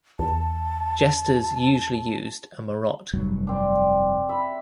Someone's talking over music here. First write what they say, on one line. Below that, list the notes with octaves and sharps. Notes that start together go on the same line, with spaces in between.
Jesters usually used a marotte.
E2 A5
F1 G2 F#3
C4 D4
E5 B5